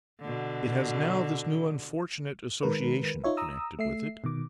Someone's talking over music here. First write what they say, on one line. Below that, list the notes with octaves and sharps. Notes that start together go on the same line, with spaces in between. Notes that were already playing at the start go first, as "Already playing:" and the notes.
It has now this new unfortunate association connected with it.
B2 D3
D#3 G#3 A#4 B4
D#4 F4 C#5 E5
A#5 D#6 E6
A3 E5 C7
B2 D#3 D6